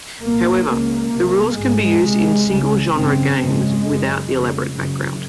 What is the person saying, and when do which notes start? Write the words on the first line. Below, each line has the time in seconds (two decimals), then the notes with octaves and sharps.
However, the rules can be used in single-genre games without the elaborate background.
0.21 C2 A#2 A#3
0.66 C#2 C#3 A#3
1.12 C2 C3
1.57 G#1 G#2 G#3
2.02 C#2 C3
2.48 C#2 C#3
2.93 G#1 F#2 C#3 C4
3.39 G#1 F#2 C#3 G#3
3.84 F#1 F#2 C#3
4.29 F1 F2 C#3
4.75 F#1 F#2 C#3